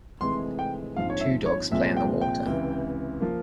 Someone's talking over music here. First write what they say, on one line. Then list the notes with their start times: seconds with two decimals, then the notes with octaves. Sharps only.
Two dogs play in the water.
0.21 F1 F2 E3 G#3 C4 C6
0.59 G5
0.96 A#1 G#2 F3 C4 F5
1.10 C#5
1.21 E5
1.46 C#5
1.71 C2 A#2 F3 G#3 C4 E5
1.97 G5
2.21 G5
2.46 C#2 C3 E3
3.21 F3 A#3